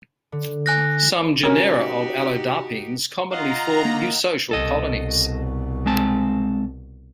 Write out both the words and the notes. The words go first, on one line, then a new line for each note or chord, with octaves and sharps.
Some genera of Allodapines commonly form eusocial colonies.
D3
G#5 F#6 A#6
C#4 D#4 F#4 G4 A#4
F4 D#5 F5 F#5 A#5
A#3
C2 B2 A4 D#5
G#3 C4 A5